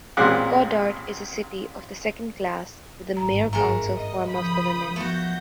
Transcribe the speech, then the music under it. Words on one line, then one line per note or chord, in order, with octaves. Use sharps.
Goddard is a city of the second class with a mayor-council form of government.
A1 A#2 G#3 C4 F#5 D6
G#1 G2 A#5
A3 G#4 A#4 G#5 A#5
D#5
C#3 F3 B5 D#6 G6
F3 A3 B3 F#4 G6 A#6